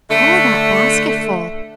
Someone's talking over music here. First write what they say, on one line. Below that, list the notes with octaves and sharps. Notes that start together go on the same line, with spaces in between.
"All that basketful!"
D3 A3